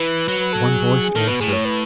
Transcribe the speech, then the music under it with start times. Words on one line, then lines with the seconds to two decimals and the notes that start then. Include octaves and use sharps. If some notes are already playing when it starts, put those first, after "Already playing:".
One voice answered.
Already playing: E3 B4
0.28 F#3
0.40 B4
0.53 A4
0.66 G#4
1.03 G#4
1.15 D#3 A4
1.28 B2 B4
1.40 A2 G#4
1.53 C#5
1.65 B4